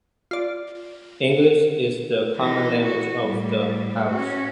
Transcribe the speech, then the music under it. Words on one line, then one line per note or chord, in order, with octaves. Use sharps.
English is the common language of the house.
F4 D5
E3 D#4
F#4
A2 G3
C#4 F#4